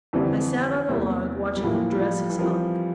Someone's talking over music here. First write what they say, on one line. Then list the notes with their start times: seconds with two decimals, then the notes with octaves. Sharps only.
I sat on a log watching him dress his elk.
0.13 F2 D3 E3 G3 C4 E4
0.88 E2 C3 G3 A#3 E4
1.57 G3
1.63 A2 E3 F3 A#3 E4 G4
1.92 G3
2.00 F3
2.30 E3
2.38 F3 G3 C4 E4 A#4